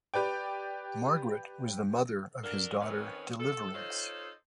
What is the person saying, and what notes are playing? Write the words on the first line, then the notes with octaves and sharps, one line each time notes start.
Margaret was the mother of his daughter, Deliverance.
G4 B4 D5 G5
D4 F#4 A4 A#4
F2 D#3 C4 C#4 B4 C#5
A4
D#4 F4 A4 C5 C#5 D#5